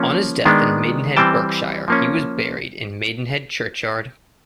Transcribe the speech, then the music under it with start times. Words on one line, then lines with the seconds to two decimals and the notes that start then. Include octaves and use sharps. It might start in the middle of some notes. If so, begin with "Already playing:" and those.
On his death in Maidenhead, Berkshire he was buried in Maidenhead churchyard.
Already playing: F3 A#3 C#4
0.45 D#3 G#3 B3 D4
1.16 E3 G3 C4 G5 A5
1.88 F3 A#3 C#4